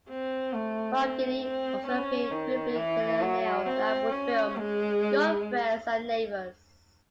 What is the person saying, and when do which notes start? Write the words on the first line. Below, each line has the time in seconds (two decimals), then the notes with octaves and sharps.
Glaudini also appeared briefly in the Neil LaBute film, "Your Friends and Neighbors".
0.09 C4
0.53 A3
0.98 C4
1.42 C4
1.87 C#4
2.31 D#3
2.76 E3
3.21 F#3
3.66 C4
4.10 C#4
4.56 G#3